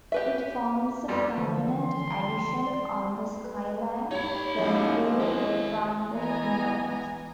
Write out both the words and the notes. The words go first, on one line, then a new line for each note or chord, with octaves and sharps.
It forms a prominent addition on the skyline when viewed from the north.
G4 B4 E5
F2 G3 B3
D3 E3 F3
C6
D5
B4
G2 D#4 G4 C#5 B5
F2 A2 D#3 G#3 A#3 G4
E4 G4 D#5
E3 B3 D#5 G#5 A#5